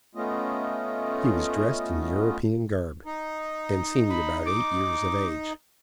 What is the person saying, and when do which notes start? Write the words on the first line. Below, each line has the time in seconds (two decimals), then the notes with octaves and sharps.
He was dressed in European garb, and seemed about eight years of age.
0.15 A3 B3 C#4 F4 D#5
3.06 D#4
4.09 B5
4.45 D6